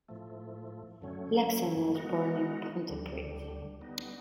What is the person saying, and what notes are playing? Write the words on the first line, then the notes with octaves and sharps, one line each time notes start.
Laxon was born in Pontypridd.
A2 F3 A3
F#2 D3 F#3 A3 C#4
G#3 B3 D#4 F#4 A#4
D2 D3 G3
G3 B3 D#4